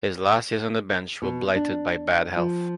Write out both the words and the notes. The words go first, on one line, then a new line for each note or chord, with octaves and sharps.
His last years on the bench were blighted by bad health.
B2
D4
F3